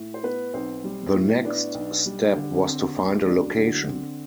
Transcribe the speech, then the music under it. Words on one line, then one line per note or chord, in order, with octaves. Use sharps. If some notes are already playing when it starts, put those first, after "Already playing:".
The next step was to find a location.
Already playing: A2
C5
B3 B4
B1 C4 C5
G3
A2
B3 D4 D5
B1
G3
D3
C4
D2
F#3 D4 D5
D3
C4